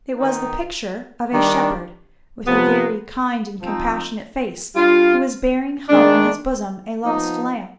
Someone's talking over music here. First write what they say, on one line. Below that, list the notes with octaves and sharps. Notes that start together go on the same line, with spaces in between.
It was the picture of a shepherd, with a very kind and compassionate face, who was bearing home in his bosom a lost lamb.
D#3 B3 D#4
D#3 G3 D4
C3 F3 B3
F3 C4 D#4
G3 D4 F4
D#3 G#3 D4
F3 B3 D#4